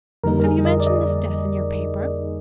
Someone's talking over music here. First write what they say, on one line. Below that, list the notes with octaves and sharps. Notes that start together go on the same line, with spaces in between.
"Have you mentioned this death in your paper?"
F2 D3 G3 A#3 D#4 A#4
A#4
G#4
D#5
D5
D#5